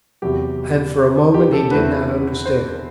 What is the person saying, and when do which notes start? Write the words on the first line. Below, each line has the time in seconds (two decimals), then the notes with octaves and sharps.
And for a moment he did not understand.
0.22 E2 C3 F#3 G4
1.34 G4
1.53 A4
1.71 E2 D3 A3 C4 E4 B4
2.45 C5